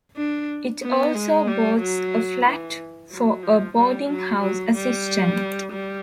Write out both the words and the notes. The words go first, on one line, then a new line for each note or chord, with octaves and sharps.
It also boasts a flat for a boarding house assistant.
D4
B3
G#3
G3
F#3
E3
F#3
F3
G3
F#3
F#3
G3
G3